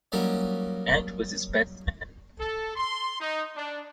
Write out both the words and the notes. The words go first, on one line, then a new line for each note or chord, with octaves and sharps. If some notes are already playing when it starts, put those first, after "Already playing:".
Ant was his best man.
F#3 G3 A#3 C#4 D#4
A4
C6
D#4
D4